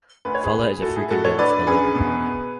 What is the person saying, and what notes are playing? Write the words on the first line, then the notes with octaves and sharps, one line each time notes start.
Follett is a frequent donor for the Labour Party.
D2 B4
C#5
G#4 B4
D2
A2 F#4 A4
E4 G#4
A2 F#4 A4
A4 C#5
D3 B4 D5
F#2 G#4 B4
B2
B3